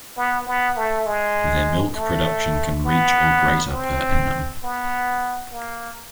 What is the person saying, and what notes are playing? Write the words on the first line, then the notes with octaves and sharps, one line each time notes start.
Their milk production can reach or greater per annum.
B3
B3
A3
G#3
A3
B3
C4
B3
A#3